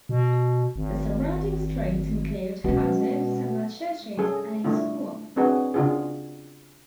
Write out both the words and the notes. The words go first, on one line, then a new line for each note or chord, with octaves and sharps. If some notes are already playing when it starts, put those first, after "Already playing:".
The surrounding streets include houses, several churches, and a school.
B2
G#1
B2 G#3 C#4
G3 C#4 G#4 A4
G3 A3 D4 E4 F4
C4 D4 F#4 G#4 B4
C#3 D4 F4 F#4 G#4